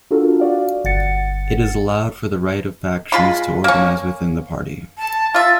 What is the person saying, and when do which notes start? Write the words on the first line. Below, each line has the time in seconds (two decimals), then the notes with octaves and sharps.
It allowed for the right of factions to organise within the Party.
0.11 D4 F4 F#4 A4 A#4
0.40 F#4 D5 F5
0.84 G1 F#5 A6 C#7
3.12 G#3 F4 B5
3.64 A#3 C#4
4.98 A5
5.35 F4 E5 A6